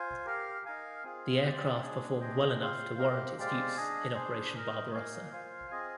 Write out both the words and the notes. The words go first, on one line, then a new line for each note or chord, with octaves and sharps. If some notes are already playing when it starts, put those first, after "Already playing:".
The aircraft performed well enough to warrant its use in Operation Barbarossa.
Already playing: F4 C5 G#5
G4 A#4 F5
D#4 A#4 F5 G#5
C4 F4 G#4
G#3 C4 G4 D5 G5
G#3 D4 G#4
D4 G#4 C5 D#5 G5
C4 F4 C5 F5
C4 G4 A#4 F5
G#3 C4 G4 D5 F5
D4 G#4 D#5 G#5
D4 G#4 C5
D#4 A#4 D#5
A#3 D#4 A#4 F5 G#5
F4 C5 F5 G#5
C4 F4 G#4 D#5 G#5